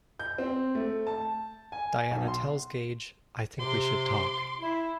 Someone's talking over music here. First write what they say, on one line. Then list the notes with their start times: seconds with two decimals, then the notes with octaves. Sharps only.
Diana tells Gage "I think we should talk".
0.19 G6
0.38 C4
0.75 A3
1.07 A5
1.72 G#5
2.11 B1
2.28 C6
3.59 C3 C6 D6
4.61 E4